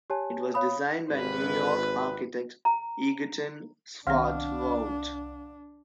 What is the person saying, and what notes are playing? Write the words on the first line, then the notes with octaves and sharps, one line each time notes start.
It was designed by New York architect Egerton Swartwout.
G4 C#5 G#5 A5
C#5 F5 B5 D#6
G#1 B4
A#5
C2 D#3 B3 C4 D4 F5 F#5 F6